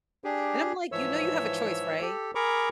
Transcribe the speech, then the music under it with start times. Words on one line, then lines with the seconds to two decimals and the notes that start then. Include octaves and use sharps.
and I'm, like, "You know you have a choice, right?
0.24 D4 G4 G#4
0.92 G#2 E3 F3 C#5 E5 E6
2.01 G4 A4
2.35 G#4 A#4 A#5 B5 C#6 D6